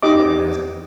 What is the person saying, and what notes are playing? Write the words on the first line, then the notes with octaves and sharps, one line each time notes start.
There it is.
D#4 G4 D#5 D6